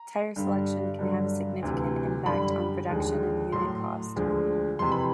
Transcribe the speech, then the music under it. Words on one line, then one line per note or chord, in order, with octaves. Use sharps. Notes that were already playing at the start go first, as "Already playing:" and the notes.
Tire selection can have a significant impact on production and unit cost.
Already playing: A#5
G2 D3 G3
G2 D3 F#3
D2 C3 E3
F#2 D3 G3 B5
D#2 D3 F3 G#3
A2 F#3 C6
D2 D3 F3 G#3
F2 C3 E3 C6
B5